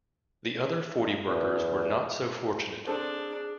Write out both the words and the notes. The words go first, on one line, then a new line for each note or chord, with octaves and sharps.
The other forty workers were not so fortunate.
E2
C4 D4 G#4 A4